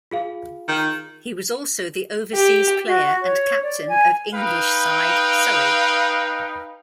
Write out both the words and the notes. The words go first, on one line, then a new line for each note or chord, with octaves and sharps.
He was also the overseas player and captain of English side Surrey.
F4 G#4 F5
D#3
G4
F#4
C#5
D5
G#5
D#4 B4 F5 G5